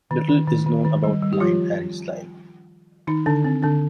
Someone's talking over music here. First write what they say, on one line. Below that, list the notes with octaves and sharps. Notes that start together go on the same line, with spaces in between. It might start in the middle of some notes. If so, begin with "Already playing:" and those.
Little is known about Blind Harry's life.
D#3
D#3
D#3
D#3
D#3
G3
G3
G4
F3 F4
D#3 D#4
D3 D4
C4
D3 D4